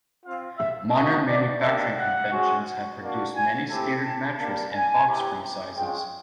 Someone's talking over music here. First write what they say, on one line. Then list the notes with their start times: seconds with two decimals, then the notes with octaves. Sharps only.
Modern manufacturing conventions have produced many standard mattress and box spring sizes.
0.24 C4 F4 F5
0.58 E5
0.92 A#3 D#4 F#4 D#5
1.27 D5
1.61 A#3 D4 G4 E5
1.97 F#5
2.30 G#3 C#4 F#4
3.00 A#3 D4 F#4
3.35 G#5
3.69 A3 C4 E4 G4 A5
4.03 A5
4.38 G3 A#3 D4 A5
4.73 G#5
5.07 B3 E4 G4
5.75 G#3 C#4 F4 G5